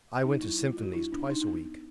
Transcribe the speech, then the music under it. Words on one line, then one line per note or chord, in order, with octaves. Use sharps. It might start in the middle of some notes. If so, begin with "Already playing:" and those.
I went to symphonies twice a week.
A#3 D#4
F#3 E4
A#3 E4
F4
F#3
F#4
D4 E4
B3 D4
D4 D#4
D#4
B3
B3